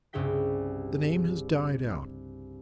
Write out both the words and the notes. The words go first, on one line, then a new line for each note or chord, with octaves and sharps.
The name has died out.
C2 G2 C#3 G#4 G5 B6